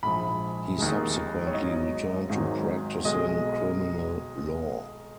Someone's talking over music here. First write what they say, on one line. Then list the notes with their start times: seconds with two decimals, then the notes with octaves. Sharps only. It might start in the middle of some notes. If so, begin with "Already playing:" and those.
He subsequently returned to practising criminal law.
0.03 A#1 G#2 F3 B5
0.78 D#2 D#3 G#3
1.47 C#5
1.54 G#1 G#2 F#3 D#5
2.29 G#1 G#2 D#3 F#3
3.04 B1 B2 G#3 D#5